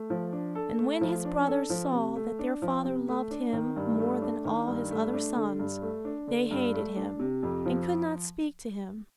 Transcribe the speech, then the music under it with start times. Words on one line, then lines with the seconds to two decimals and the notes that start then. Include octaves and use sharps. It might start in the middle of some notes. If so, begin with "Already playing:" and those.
And when his brothers saw that their father loved him more than all his other sons, they hated him, and could not speak to him.
Already playing: A3
0.10 F3
0.33 D4
0.55 A4
0.78 A3
1.01 F3
1.25 D4
1.47 A4
1.70 F3
1.92 C3
2.15 A3
2.39 D4
2.62 F3
2.85 C3
3.08 A3
3.31 D4
3.53 D#3
3.76 G2
3.99 A3
4.22 D4
4.45 D#3
4.68 G2
4.91 A3
5.13 D4
5.36 D3
5.59 G2
5.82 A3
6.05 D4
6.27 D3
6.51 G2
6.74 A3
6.96 D4
7.19 C3
7.43 F2
7.66 F3